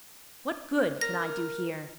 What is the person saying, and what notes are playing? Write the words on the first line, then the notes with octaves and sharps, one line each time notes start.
What good can I do here?
A#4 A#6